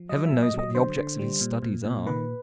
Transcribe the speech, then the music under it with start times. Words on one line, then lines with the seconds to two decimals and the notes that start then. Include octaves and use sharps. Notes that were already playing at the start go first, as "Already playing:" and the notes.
Heaven knows what the objects of his studies are.
Already playing: F3
0.09 F#3 D#5
0.26 E5
0.31 A#2
0.43 D#5
0.54 F#3 D#5
0.75 D3 C5
0.97 D3
1.19 G3
1.41 A#2
1.63 A#2
1.84 A#2
2.06 D#3 B4